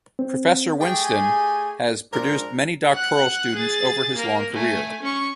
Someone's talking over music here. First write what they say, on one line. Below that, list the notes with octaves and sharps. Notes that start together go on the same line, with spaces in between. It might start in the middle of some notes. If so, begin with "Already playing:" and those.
Professor Whinston has produced many doctoral students over his long career.
C4
A3 G4 G#4 G5
G#5
G#2 F3 D4 A#4
F#5 F#6
G#4 A6
A#3 A#4
A3 G#5
C#4 C#6